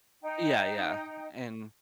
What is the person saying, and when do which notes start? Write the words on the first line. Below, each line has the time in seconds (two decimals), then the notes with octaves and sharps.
Yeah, yeah, and
0.22 D#4 G5